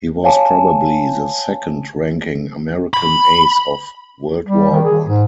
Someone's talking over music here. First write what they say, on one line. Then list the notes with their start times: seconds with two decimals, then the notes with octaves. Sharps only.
He was probably the second-ranking American ace of World War One.
0.24 C#5 F5 G#5 A5
2.94 B5
4.45 G3
4.71 D#3
4.85 G#4
5.06 G#2